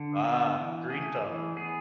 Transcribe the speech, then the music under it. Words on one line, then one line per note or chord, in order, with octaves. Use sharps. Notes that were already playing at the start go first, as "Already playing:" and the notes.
Ah, green thumb.
Already playing: D3
B3
E3
A3 G#4
E3
B3 G#4